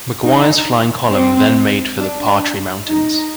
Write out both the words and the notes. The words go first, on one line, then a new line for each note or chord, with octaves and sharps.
Maguire's flying column then made for the Partry Mountains.
D#4
C4
D4
D#4